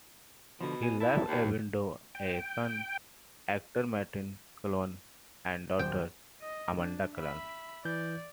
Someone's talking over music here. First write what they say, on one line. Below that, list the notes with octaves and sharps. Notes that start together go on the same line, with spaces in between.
He left a widow, a son, actor Martin Clunes, and a daughter, Amanda Clunes.
B2 D3 F3
G#5
E4 A5
D#2
G5
D#1 F#2 C5 G5
D#5
D4
E5 B5
E3 D5 G6